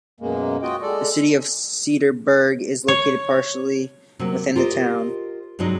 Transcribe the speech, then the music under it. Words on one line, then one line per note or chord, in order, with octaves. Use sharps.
The City of Cedarburg is located partially within the town.
F#2 B2 G#3 A#3
F4 F#4 D#5 G5
G#3 A4 D5
C#5
C3 F#3 A#3
F4 G4 A#4 C5 D#5
G2 C3 F#3 G#3 D#4